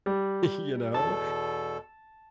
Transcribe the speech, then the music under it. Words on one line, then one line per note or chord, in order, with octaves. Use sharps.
you know?
G3
E2 B2 A4 A5